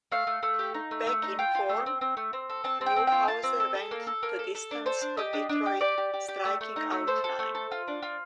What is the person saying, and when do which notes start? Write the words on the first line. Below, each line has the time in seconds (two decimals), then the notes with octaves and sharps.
Back in form, Newhouser went the distance for Detroit, striking out nine.
0.12 A3 F5
0.27 A3
0.43 A3
0.59 G4
0.74 D#4
0.91 A3
1.07 A3
1.22 D#4
1.39 F4 G5
1.55 F4
1.69 A3
1.86 C4
2.01 C4
2.17 A3
2.33 C4
2.49 A4
2.64 C4 A5
2.81 C4
2.86 G5
2.96 C4
3.07 F4 G5
3.27 F4 A5
3.43 C4
3.60 A4
3.75 A4
3.91 A#3
4.07 A4
4.23 A#3
4.39 A4
4.55 A4
4.71 D4
4.86 A4 C5
5.02 D4
5.17 G4 D#5
5.33 D4
5.49 D4
5.66 G4
5.81 G4 D5
5.98 G4
6.14 G4
6.28 G4
6.45 A3
6.61 A3
6.76 D#4
6.91 A3
7.07 A4 C5
7.24 A4
7.39 A3
7.55 A4
7.71 F4
7.88 D4
8.02 F4